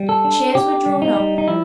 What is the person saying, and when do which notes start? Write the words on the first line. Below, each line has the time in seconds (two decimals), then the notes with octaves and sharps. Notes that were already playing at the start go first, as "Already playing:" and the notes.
Chairs were drawn up.
Already playing: G3
0.09 A4
0.25 D4
0.55 D3 G4
0.86 G3
1.02 D#4
1.17 G3
1.38 D#4
1.47 F3 E4